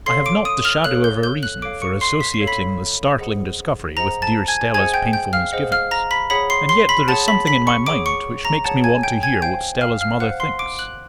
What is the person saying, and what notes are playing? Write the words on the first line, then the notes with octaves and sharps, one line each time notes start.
I have not the shadow of a reason for associating this startling discovery with dear Stella's painful misgivings--and yet there is something in my mind which makes me want to hear what Stella's mother thinks.
A4 C#5 F5 C6 C7
D6 D7
D#6 D#7
F6 F7
A4 C#5 F5 F#6 F#7
G6 G7
G6 G7
F#6 F#7
A4 C#5 F5 D6 D7
C#6 C#7
C6 C7
B6
C7
A4 C#5 F5
B5 B6
G#4 C5 D#5 F#5
G#4 C5 D#5 F#5 A#5 A#6
A5 A6
G#5 G#6
G#4 C5 D#5 F#5 G#5 G#6
G5 G6
G5 G6
F5 F6
G#4 C5 D#5 F#5
F5 F6
A#5 A#6
B5 B6
G#4 C#5 F#5 B5 B6
C6 C7
C6 C7
B5 B6
G#4 C#5 F#5 A5 A6
B5 B6
B5 B6
C#6 C#7
G#4 C#5 F#5 D6 D7
C#6 C#7
A#5 A#6
G#4 C#5 F#5 A5 A6
G#5 G#6
G5 G6
G#5 G#6
C5 F5 G5 G6
F5 F6
F5 F6
C5 F5 F#5 F#6
C6 C7
D6 D7
F#6 F#7